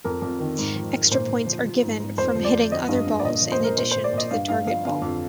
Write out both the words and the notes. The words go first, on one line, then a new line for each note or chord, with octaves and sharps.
Extra points are given from hitting other balls in addition to the target ball.
F2 A#4
F2
D#3
G#2
F3
G#2
A#2 C5
A#2
F3
F3
G#2
G#2
F2 C5
F3
D5
F2
F3 D#5
G2
G2
D5
A#2 D#5
F3
C5
A#2 A#4
A#2 C5
A#2 C5
D5
A#2 D#5
G2 F5
G2 F5
F3 F5
D3 F5
F2